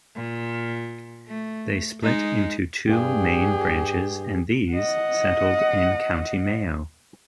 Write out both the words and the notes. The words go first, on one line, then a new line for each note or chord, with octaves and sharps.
They split into two main branches, and these settled in County Mayo.
A#2
A3
G#3 D#4
G2 G4 G#4
D#5 F#5